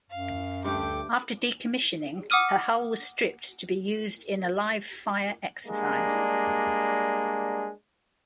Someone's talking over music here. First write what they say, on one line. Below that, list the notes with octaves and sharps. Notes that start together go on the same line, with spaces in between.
After decommissioning her hull was stripped to be used in a live-fire exercise.
F#2 F5
D2 G2 A3 G4 A4 G5 D6
F#5 D6 D#6 F6 D#7
G3 G#3 A#3 D4